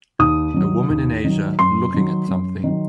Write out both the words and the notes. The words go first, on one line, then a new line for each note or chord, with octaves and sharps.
A woman in Asia looking at something.
D#2 D#6
D#3 F#3
D#2
D#3 F#3
F#2 C6
D#3 F#3
F#2
D#3 F#3